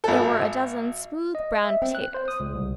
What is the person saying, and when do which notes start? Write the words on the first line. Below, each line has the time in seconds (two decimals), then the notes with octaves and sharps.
There were a dozen smooth, brown potatoes.
0.04 G#1 A4
1.35 D#5
1.64 E5
1.82 C4
1.95 F#6
2.14 C5
2.28 D#6
2.40 C#2
2.55 C2